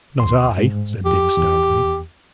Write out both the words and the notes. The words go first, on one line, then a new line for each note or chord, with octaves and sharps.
"Not I," said Dick, stoutly.
D2 C6
G#2
F2 G4
E2